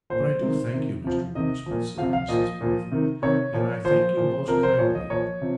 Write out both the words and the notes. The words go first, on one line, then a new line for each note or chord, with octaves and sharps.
'But I do thank you, Mr Rokesmith,' said Mrs Boffin, 'and I thank you most kindly.
A#2 F3 C5
C3 D#3
C3 D#3
C3 F3
C3 D#3 D#5
A#2 F3
C3 F3 F5
F5
A#2 F3 D#5
A#2 F3
C3 D#3
C3 D#3 C#5
A#2 F3
A#2 F3 C5
A#2 F3
C3 F3 A#4
C5
A#2 F3 C#5
D#5
A#2 F3 C#5
C3 F3